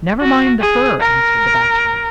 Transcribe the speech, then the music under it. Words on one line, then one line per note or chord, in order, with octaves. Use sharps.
"Never mind the fur," answered the Bachelor.
F#4
G#4
A#4